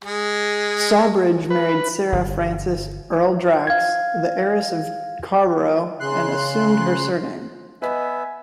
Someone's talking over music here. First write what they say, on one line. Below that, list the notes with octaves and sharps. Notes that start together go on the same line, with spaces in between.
Sawbridge married Sarah Frances Erle-Drax, the heiress of Charborough, and assumed her surname.
G#3 G#4
B4
G1
F5 G#6
C#3 C6 F#6
B3 B4 D#5 E5 G#5